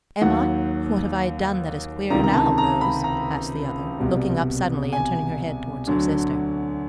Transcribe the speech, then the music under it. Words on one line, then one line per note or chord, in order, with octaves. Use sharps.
"Am I? What have I done that is queer now, Rose?" asked the other, looking up suddenly and turning her head towards her sister.
D#2 D#3 F#3 F#5
C#2 C3 D#3 A#5
A#5
A5
A#5
B5
A#5
C2 B2 G3
G#5
D2 D3 F#3